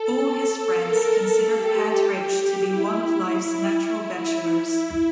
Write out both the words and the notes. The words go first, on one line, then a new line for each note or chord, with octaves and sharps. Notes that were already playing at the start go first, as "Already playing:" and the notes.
All his friends considered Pett Ridge to be one of life's natural bachelors.
Already playing: A4
A#4
A4
G4
E4